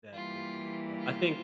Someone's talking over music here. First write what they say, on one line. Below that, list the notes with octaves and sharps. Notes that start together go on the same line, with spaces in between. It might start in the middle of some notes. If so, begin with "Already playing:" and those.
that movie, as well. I think
E3 G3 A#3 F4
F4